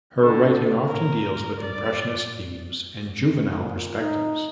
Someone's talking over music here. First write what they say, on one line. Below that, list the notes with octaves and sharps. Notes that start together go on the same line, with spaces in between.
Her writing often deals with impressionist themes and juvenile perspectives.
D3
A#4
D5
A#2
D#4